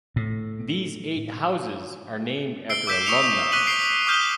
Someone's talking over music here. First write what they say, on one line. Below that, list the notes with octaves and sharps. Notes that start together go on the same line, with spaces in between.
These eight houses are named after alumni.
A2
E6 C7 D7 G7
D6 E6 G6 B6 D7 E7
C#6 D#6 C#7 F7
C#6 F#6 B6 D#7 F#7 G7
C7 D7 G7
D6 D#6 F6 G6 E7 G7